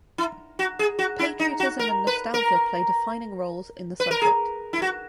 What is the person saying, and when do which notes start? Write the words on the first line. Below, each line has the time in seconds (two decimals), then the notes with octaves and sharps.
Patriotism and nostalgia play defining roles in the subject.
0.18 E4
0.59 F#4
0.79 G#4
0.99 F#4
1.19 E4
1.40 D#4
1.60 F#4
1.79 A#4
2.07 B4
2.34 A#4
4.00 B4
4.11 A#4
4.22 G#4
4.73 E4
4.82 F#4